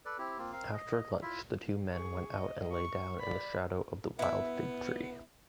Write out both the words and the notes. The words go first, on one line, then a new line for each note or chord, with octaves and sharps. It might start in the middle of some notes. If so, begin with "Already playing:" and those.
After lunch the two men went out and lay down in the shadow of the wild fig tree.
A4 B4 D5
C4 E4 G4
A#3 C4 F4
C4 A#4 F5
D#5
E4 F4 E5
G#4 C#6
D#5
C#6
D5 B5
B3 E4 E5